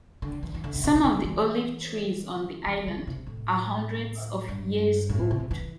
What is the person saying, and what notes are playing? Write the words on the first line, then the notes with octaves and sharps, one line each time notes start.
Some of the olive trees on the island are hundreds of years old.
D3
E3
E3
D3
D3
C3
C3
D3
E3
E3
D3
C3
A2
G2
A2
C3
E3